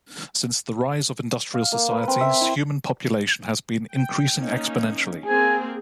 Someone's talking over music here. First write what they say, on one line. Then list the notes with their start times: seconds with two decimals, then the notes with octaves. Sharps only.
Since the rise of industrial societies, human population has been increasing exponentially.
1.54 F5
1.72 A#3
1.91 B4
2.08 C4
2.21 E5
2.41 E4
3.93 G5
4.37 A#3 C#4 D#4
5.26 A#3 C4 G#4 G#5